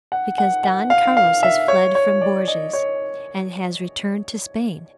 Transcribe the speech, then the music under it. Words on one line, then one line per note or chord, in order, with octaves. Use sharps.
"Because Don Carlos has fled from Bourges, and has returned to Spain."
F#5
F#5
F#5
F5
F5
E5
C#5
C#5
D5
D#5
C#5